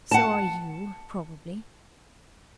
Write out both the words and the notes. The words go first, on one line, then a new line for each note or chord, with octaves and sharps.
So are you, probably.
F#5 A5